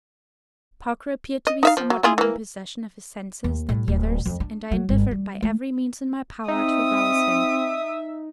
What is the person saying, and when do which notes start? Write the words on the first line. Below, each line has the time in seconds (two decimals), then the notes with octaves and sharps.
Parker appeared to be somewhat more in possession of his senses than the others, and I endeavoured, by every means in my power, to rouse him.
1.47 D#5
1.63 D#4 E5 F5
1.77 F3
1.90 F#3
2.03 E4 F4 G#4
2.18 E3 A#3
3.44 D#2
3.69 A2
3.88 D1
4.25 F2
4.40 D4
4.71 F#3
4.89 G1
5.11 G3
5.42 A3
6.48 C4 D#4 E5 D#6